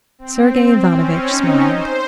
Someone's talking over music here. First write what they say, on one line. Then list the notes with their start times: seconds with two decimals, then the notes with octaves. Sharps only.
Sergey Ivanovitch smiled.
0.19 C4
0.91 C#4
1.27 D#4
1.64 C5